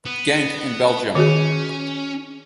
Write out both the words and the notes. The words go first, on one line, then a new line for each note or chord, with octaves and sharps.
Genk in Belgium.
B3
D#3 C#4 F#4 G#4